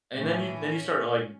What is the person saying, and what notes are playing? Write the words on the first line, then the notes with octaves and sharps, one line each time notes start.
And then you then you start, like,
A2 E3 C#4